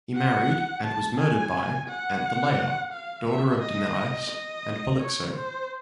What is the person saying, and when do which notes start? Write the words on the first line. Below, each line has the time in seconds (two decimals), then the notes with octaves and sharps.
He married and was murdered by Anthelea, daughter of Danaus and Polyxo.
0.15 F#5
0.85 A5
1.19 G#5
1.88 F#5
2.93 F5
3.27 E5
3.62 D#5
4.30 D#5
5.00 C#5
5.35 C5